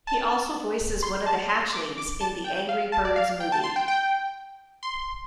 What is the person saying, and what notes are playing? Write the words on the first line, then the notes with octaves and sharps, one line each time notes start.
He also voices one of the Hatchlings in "The Angry Birds Movie".
A5
C6
A5
C6
D6
D6
A5
G5
F5
A5
D5
F5
G5
A5
C6
G5
G5
C6